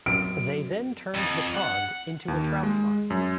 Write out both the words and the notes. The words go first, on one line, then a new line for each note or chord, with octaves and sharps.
They then turned the pond into a trout farm.
F#2 D7
F2
F#5
D#2
G#3
F#2